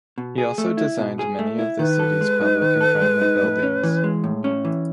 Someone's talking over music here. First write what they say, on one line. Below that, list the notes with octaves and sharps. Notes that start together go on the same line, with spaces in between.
He also designed many of the city's public and private buildings.
B2
G#4
A3
E4
B2
G#4
A3
E4
D#3 B4
A4
G#3
D#4
D#3
A4
G#3
D#4
A2
C#4
E3
G#3
A2
C#4
E3